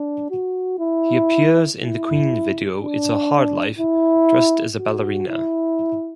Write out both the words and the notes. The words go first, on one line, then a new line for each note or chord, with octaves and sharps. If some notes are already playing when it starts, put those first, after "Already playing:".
He appears in the Queen video 'It's a hard life' dressed as a ballerina.
Already playing: D4
F#4
E4
E4
D4
E4
F#4
E4